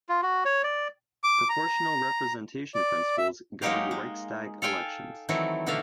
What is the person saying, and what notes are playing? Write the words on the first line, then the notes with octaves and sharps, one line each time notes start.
Proportional representation principles governed Reichstag elections.
F4
F#4
C#5
D5
D6
A#5
D5
E5
F#3 G#3 A#3 D#4 G4 F5
G#3
A4 F5 G5 G#5
D#3 E3 F#3 A3 C4 E4
B2 D3 A3 D4 E5 F5